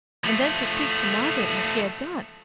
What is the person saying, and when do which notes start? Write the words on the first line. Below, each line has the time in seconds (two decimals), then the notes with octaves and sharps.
And then to speak to Margaret as he had done!
0.24 F3 A3